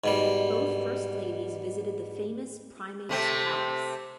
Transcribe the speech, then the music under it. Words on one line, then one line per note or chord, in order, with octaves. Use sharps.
Both first ladies visited the famous Primate's Palace.
G#2 B2 G3
C3 A3 C4